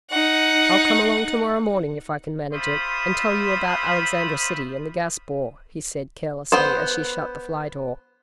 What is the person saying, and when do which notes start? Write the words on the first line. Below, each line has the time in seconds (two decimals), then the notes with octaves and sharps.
'I'll come along to-morrow morning if I can manage it, and tell you about Alexandra City and the Gas-Bore,' he said carelessly as she shut the fly door.
0.11 D#4 F#5
2.53 A3 F4 C5 E5 B5 D#6
6.52 B3 C5